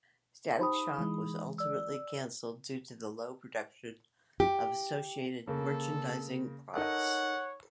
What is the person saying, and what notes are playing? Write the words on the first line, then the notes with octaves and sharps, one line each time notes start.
"Static Shock" was ultimately cancelled due to the low production of associated merchandising products.
D#4 G4 C5 B5 D#6
E3 G#3
D5 E6
G4
C#3 A#3 A4
D#4 A4 A#4 C#5 F#5